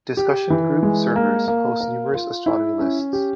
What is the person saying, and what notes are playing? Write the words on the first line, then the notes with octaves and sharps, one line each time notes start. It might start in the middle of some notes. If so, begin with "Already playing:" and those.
Discussion group servers host numerous astronomy lists.
G4
E3
G#3
A#3
A#3
A#4
F4
E4
C#4
G4